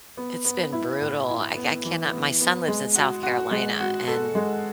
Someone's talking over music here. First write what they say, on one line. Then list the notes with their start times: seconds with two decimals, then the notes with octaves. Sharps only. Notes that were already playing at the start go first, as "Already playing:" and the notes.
It's been brutal. I ca I cannot My son lives in South Carolina, and
0.17 B3
0.45 B3
0.72 E4
1.00 A2
1.29 E4
1.56 B3
1.85 E3
2.12 B3
2.41 B3
2.68 G#3
2.95 F#4
3.23 F#4
3.51 G#3
3.80 F#4
4.08 A4
4.35 G#3